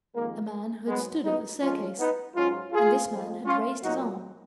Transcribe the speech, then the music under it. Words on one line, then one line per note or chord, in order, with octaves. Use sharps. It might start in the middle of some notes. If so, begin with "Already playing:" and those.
A man had stood at the staircase, and this man had raised his arm.
F2 D#3 G#3 A#3
G#2 F#3 G#3 B3
B3 D#4
F2 F3 G#3 C#4 F4
B3 D#4
G#2 F#3 C#4 F4
F4 G#4
F2 F3 G#3
C#4 F4
A#2 F#3 D#4 F#4